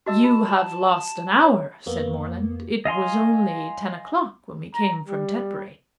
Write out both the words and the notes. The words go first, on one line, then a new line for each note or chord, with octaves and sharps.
"You have lost an hour," said Morland: "it was only ten o'clock when we came from Tetbury."
F#4 D#5 A5 E6
F4
C#5 A#5
F2 A#3 B3
D#5 F5 G#5 C6
A#5
G3